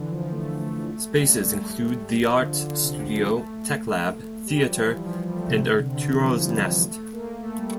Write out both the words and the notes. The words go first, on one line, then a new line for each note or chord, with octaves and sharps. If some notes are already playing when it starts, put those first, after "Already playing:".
Spaces include the Art Studio, Tech Lab, Theater, and Arturo's Nest.
Already playing: D3 E3
F3
A3
A3
A3
G3
A3
A3
A3
G3
F3
D3
D3
D3
C3
D3
F3
A3
G3
F3
E3
F3
G3
A3
C3
D3
C3
D3
E3
F3
G3
F3
A3
A#3
A3
G3